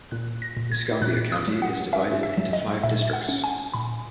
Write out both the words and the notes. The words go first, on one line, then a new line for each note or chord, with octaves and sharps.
Escambia County is divided into five districts.
A#2 F#6
A#6
A#2
G#6
A#2 F#6
D#6
F#3
F#5
C#4 E5
E5
F#3
D#5
A#2 E5
F#5
C#4
G#5
A#2 B5